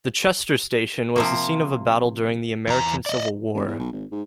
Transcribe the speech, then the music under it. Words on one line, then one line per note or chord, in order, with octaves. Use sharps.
The Chester Station was the scene of a battle during the American Civil War.
C3 F3 A#3
E2 A#5
D5 D#5
E1
E2
B1
G#1
G#2